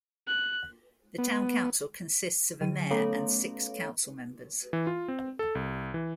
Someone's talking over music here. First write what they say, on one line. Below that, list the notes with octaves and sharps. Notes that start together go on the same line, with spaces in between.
The town council consists of a mayor and six council members.
F#6
B3
D3 F#3 D#7
A3 B3 C#4 A4 C#5 F5
E3
F4
C4
A4
C2
E3